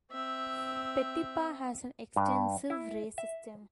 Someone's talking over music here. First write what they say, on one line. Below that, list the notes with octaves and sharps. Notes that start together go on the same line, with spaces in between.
Petipa has an extensive ray system.
C4 E5
G2
E4
E5